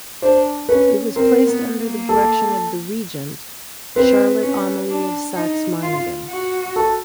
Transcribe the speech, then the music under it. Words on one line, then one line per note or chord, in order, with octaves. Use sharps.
It was placed under the direction of the Regent, Charlotte Amalie of Saxe-Meiningen.
D4 C5
C#4 B4
C4 A#4
B3
A#3
A4
C4 B4
C#4
D4
D#4
F4
F#4
A4